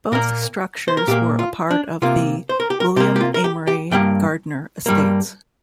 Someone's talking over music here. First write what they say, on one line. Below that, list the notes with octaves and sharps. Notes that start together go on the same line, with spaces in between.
Both structures were a part of the William Amory Gardner estates.
A#2 A#3 A#4
C5
A#4
A#2 A#3 G4
F4
D4
C3 A#3 F4
C5
A#4
G4
A#4
C3 A#3 G4
G4
F4
A#4
G4
G4
G2 G3 A#3 G5
G2 G3 A#3